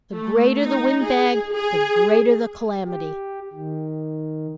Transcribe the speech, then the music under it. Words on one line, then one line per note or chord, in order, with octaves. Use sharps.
The greater the wind-bag the greater the calamity.
A3
D#4
G#4
G#4
G4
D#3